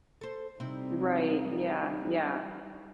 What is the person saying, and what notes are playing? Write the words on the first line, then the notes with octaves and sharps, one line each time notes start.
Right. Yeah. Yeah.
A4 C5
C3 G3 C4 D#4 E4